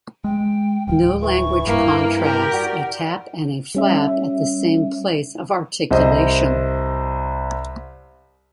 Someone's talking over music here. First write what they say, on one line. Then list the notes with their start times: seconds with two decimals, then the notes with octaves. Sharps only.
No language contrasts a tap and a flap at the same place of articulation.
0.24 G#3 G5
0.87 D1 F3 G5
1.22 E3 C#6
1.67 G2 A#3 E4
2.19 G4 A#4
2.52 F#4 D5
3.75 G3 C#4 E5
5.91 C2 C5 D#5